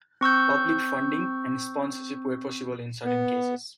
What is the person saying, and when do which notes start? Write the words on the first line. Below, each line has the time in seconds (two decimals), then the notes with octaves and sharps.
Public funding and sponsorship were possible in certain cases.
0.21 C4 C#6 E6 G6
3.05 B3